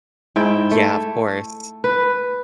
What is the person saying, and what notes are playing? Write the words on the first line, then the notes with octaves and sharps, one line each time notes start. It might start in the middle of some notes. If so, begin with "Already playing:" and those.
Yeah. Of course.
G#2 E4 G5
A3
B4